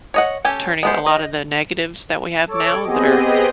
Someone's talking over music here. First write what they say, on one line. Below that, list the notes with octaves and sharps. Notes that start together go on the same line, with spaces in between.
turning a lotta the negatives that we have now that are
C#5 D#5 F#5
C#4 G4 A4 G#5
G#3 B3 C5
D#5
A4 C#5 D6
B3 C4 G4 G#4 D#5